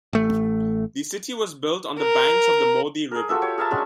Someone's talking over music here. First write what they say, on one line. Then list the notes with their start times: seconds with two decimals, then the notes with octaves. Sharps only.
The city was built on the banks of the Modi River.
0.13 A1 A3
2.00 A#4
3.11 G#4 A#4
3.29 F4 F#4 A4 E5
3.42 G4 C#5
3.58 G#4 A#4 E5 A5
3.70 F#3 G#3 C#4 D4